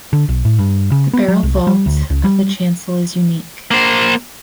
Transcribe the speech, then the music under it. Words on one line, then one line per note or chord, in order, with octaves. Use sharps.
The barrel vault of the chancel is unique.
D3
B1
A2
G2
C#3
B3
F#3
C2
G3
D2
C#2
G3
A#3 C5